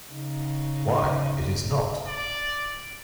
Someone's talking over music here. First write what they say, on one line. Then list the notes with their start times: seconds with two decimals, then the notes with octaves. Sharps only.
Why, it is not!
0.12 C#3 D#4
2.07 D5